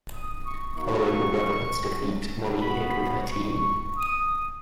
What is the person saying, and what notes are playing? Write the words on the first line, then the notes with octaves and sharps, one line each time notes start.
Following the Brotherhood's defeat, Molly hid with her team.
D#6
C#6
A#3 D#4 F#4 C#6
B3 F#4 B5
B5
C#6
C#6
D#6